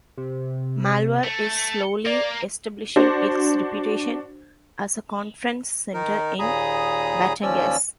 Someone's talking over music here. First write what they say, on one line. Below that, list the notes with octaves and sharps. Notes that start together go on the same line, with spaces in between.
Malvar is slowly establishing its reputation as a conference center in Batangas.
C3
A3
C#7
A#3 D5
D4 F#4 C5
D#3 D#4 A#4
D#2 A#2 G#4 A#5 B5 D#6
D#2 F3 C#4 D5 E6